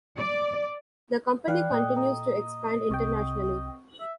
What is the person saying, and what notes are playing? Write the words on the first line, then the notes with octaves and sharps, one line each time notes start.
The company continues to expand internationally.
D5
E3 B4 D5 F5 G5 F#6
A#2 A4 D#5 G5
D#5 A#5
C2 C3 C4 G5 C#6
E5